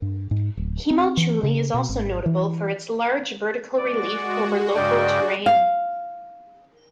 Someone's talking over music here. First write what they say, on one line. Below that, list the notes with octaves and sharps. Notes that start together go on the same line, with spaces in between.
Himalchuli is also notable for its large vertical relief over local terrain.
G2
G#2
D1
C4
E3
C#3
B2
G#1
E3
G#3 F#4 D5
G2 C#3 D5 G5
F5